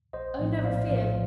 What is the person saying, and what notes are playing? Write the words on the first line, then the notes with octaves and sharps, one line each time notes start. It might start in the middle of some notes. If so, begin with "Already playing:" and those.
'Oh! never fear!
A#1 C5 D#5
A2 F3 C4
A#1 D5 F5
A2 F3 C4